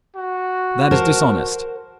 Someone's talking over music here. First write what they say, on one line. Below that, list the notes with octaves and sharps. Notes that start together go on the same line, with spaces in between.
That is dishonest.
F#4
A#4 C5 A5